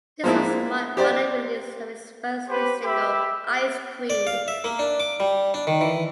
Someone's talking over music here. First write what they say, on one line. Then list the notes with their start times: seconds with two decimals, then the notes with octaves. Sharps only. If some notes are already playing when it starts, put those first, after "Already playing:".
This was marked by the release of his first hit single, "Ice Cream".
0.24 F3 G#3 A#3 C4 E4
0.97 G4 C5 D5
2.49 G4 B4 C5
2.83 G4 E5 B5
4.10 D5
4.27 F5
4.48 E5
4.64 A#3
4.79 D4
5.00 D6
5.20 G3
5.54 D4
5.67 D#3
5.81 E3